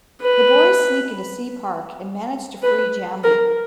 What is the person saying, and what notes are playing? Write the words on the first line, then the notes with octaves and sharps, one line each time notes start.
The boys sneak into Sea Park and manage to free Jambu.
B4
B4
A#4